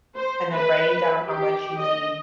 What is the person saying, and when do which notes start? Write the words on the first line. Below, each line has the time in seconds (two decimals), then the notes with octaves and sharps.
and then writing down how much you need
0.16 C5
0.55 B4
1.25 G4
1.78 D#5